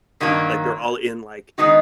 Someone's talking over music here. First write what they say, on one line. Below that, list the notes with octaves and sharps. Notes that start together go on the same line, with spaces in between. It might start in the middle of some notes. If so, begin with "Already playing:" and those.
like, they're all in, like,
G2 D#3 F#3 A#3 C#4
D#3 G#3 B3 D#4 F#4